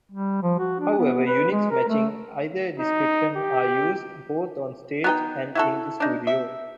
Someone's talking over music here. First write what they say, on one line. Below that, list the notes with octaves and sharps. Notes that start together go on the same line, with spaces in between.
However, units matching either description are used both on stage and in the studio.
G3
F3
F#4
D4
B3
B4
G#3
A#4
A3
D#4
G4
B3 D#4 G5
E4 F#4 A4
D4 D#4
E5